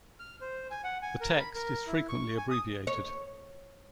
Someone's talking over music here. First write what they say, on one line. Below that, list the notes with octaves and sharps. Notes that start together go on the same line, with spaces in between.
The text is frequently abbreviated.
F6
C5
G#5
F#5
G#5
A#4
B5
A#4
E4
C#6
G#5
D#6
C#5